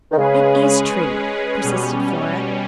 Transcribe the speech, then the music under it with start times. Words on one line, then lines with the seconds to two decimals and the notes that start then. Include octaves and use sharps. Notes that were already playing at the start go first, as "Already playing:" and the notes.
"It is true," persisted Flora.
0.12 D#3
0.18 C#3 G#3 C#4 G#4 B4
1.64 B2 G3 C#4